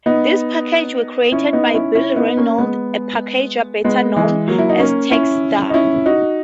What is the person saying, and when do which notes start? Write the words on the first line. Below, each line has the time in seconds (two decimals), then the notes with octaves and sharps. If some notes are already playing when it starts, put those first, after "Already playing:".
These packages were created by Bill Reynolds, a packager better known as "Texstar".
0.06 B3 D#4
1.32 C#4 E4
1.53 B3 D#4
1.74 C#4 E4
1.95 C#4 E4
2.16 B3 D#4
2.37 A#3 C#4
2.58 G#3 B3
3.84 G#3 B3
4.16 E3 G#3
4.48 F#3 A#3
4.58 E4
4.69 D#4
4.79 A#3 C#4
5.11 C#4 E4
5.70 D#4
5.74 C#4 E4
6.06 D#4 F#4